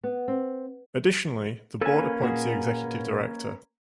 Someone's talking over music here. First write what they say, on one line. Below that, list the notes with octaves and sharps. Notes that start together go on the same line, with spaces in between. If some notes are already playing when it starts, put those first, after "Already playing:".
Additionally, the Board appoints the Executive Director.
B3
C4
A#3 C#4 A4 B4 G#5
A#2 F#4 G#4